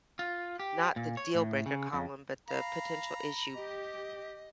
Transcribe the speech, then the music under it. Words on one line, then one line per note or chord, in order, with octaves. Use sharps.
not the deal breaker column, but the potential issue
F4
G4
A#2
C#5
A2
C#3
F2
F5 A#5 B5
G4 D#5